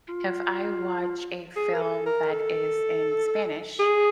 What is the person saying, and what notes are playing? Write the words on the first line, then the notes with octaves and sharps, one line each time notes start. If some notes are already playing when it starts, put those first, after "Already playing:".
If I watch a film that is in Spanish,
F4
G#4
A#4
A4
A#4
A4
G#4